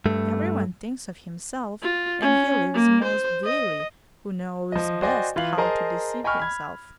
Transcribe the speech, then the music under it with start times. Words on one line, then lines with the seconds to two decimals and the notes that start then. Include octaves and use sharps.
Everyone thinks of himself, and he lives most gaily who knows best how to deceive himself.
0.06 G2 A3
1.83 F4
2.22 C#4
2.74 A#3
3.04 C5
3.44 D#5
4.72 F3 D#5
5.02 F#4 C5 D5 D#5 G5 G#5
5.36 E3 F4 F5 F#7
5.57 G#4 A#4 C5 D#5 A5 A#5
6.24 D#5 G5 G#5 B5 C#6 F6
6.39 B5 G#6